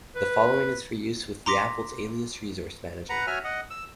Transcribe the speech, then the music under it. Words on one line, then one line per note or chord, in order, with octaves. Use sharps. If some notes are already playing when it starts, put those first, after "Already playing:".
The following is for use with the Apple's Alias Resource Manager.
B4
A#5 C6 D6 A#6 B6
B4 F#5 A#5
F#4 C#5 E5 G#5 F6
D#5 F#5
E6